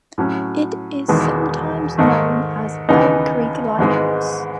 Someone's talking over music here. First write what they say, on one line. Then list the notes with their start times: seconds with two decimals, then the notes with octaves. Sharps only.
It is sometimes known as Bow Creek Lighthouse.
0.18 A2 F#3 C#4
1.08 E1 E2 D#3 G#3 B3
1.98 G#2 D#3 A3
2.89 D#2 C#3 E3 B3 D#4
3.78 G#1 G#2 E3 G#3 B3